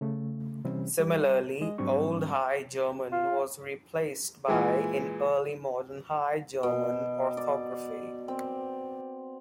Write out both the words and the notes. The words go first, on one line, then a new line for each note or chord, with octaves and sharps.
Similarly, Old High German was replaced by in Early Modern High German orthography.
C#3 A3
C3 E3 G3 C4 C#4
G3
G#3 D#5
G#2 F#3 G3 C4 D4 C#6
F4
A#2 E3 G#3
B2
D5
C4